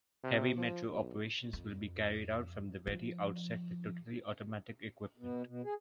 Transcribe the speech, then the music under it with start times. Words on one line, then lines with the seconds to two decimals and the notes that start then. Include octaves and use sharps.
Heavy metro operations will be carried out from the very outset with totally automatic equipment.
0.24 C3
0.57 F3
0.91 B1
1.53 F2
2.87 F3
5.18 B2
5.47 B2
5.64 G#4